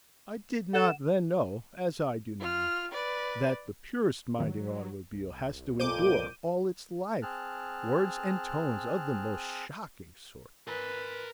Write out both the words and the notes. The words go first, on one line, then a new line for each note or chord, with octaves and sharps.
I did not then know, as I do now, that the purest-minded automobile has to endure all its life words and tones of the most shocking sort.
A4 F#5 E7
F4 F6
B4 D5
F2 D#3 E3 F#3
C2
F2 A#2 C5 D6 G6 D#7
C4 G#4 A5 F6 F#6
A#4 B4 G#5